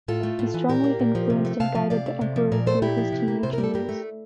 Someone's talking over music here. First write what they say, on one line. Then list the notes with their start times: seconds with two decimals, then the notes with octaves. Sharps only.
He strongly influenced and guided the emperor through his teenage years.
0.08 A2 F4 A4
0.23 A3
0.39 A2
0.54 E3
0.69 A#2 G4 A#4
0.84 A#3
0.99 A#2
1.15 F3
1.30 C3
1.45 A3
1.60 C3 F5 A5
1.75 F3
1.90 C3 D5 F5
2.06 A3
2.21 C3
2.36 F3
2.52 A#2 A#4 D5
2.67 A3 A4 C5
2.82 A#2 E4 G4
2.98 F3
3.12 C3
3.28 A#3
3.43 C3 C5
3.53 G3 A#4
3.64 A4
3.74 G2 G4 A#4
3.89 A3